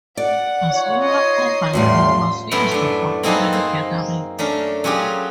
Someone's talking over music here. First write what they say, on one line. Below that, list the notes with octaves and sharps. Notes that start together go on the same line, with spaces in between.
A smaller oval room was used for family gatherings.
D5 F#5
D#4 F4 C#5
D#5 C7
E2 A2 D3 G3 C#4 F4 C6
F#2 A2 B3 E4 C6
A3 D4
A#3 C4 D#4 G#4 A4 B4
A#3 C5
A3 C#4 D4 A#4
F#3 C#4 F4 G4 G#4